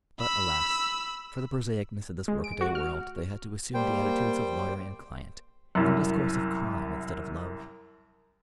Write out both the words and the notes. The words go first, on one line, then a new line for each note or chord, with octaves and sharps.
But, alas! for the prosaicness of this workaday world, they had to assume the attitudes of lawyer and client; and discourse of crime instead of love.
B5 E6
G#3
D7
F#4
F6
G3 A#3 C5 G5
C2 F#2